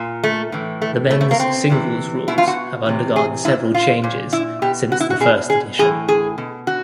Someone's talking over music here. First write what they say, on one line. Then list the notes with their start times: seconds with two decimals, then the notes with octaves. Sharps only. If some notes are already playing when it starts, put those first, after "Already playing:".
The men's singles rules have undergone several changes since the first edition.
Already playing: A#2
0.24 A3
0.52 A2 E3
0.82 A3
1.11 B2 A3
1.21 A3
1.31 A#3
1.40 C4
1.70 C3 E3
2.28 B2 E4
2.38 F4
2.47 F#4
2.86 C3 E3
3.16 G#4
3.45 A#2 E4
3.74 F4
4.04 A#2
4.33 E4
4.62 B2 G4
4.92 F#4
5.00 E4
5.10 F#4
5.20 B2 G#4
5.50 G#4
5.79 A2 E3 G#4
6.08 G#4
6.38 B2
6.67 F#4